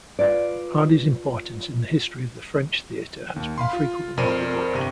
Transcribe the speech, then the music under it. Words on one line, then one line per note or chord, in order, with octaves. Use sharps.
Hardy's importance in the history of the French theatre has been frequently overlooked.
F4 B4 D5
D#2
F5 B5 C6
F4
F2 A#4 C5 D5 D7 D#7
G1 C3 A#6 D#7